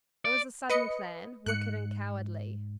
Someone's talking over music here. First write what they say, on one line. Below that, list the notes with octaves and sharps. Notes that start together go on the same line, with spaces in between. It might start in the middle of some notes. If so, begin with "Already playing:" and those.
It was a sudden plan, wicked and cowardly.
D5
B4 D#5 C#7
G#2 F#6 C#7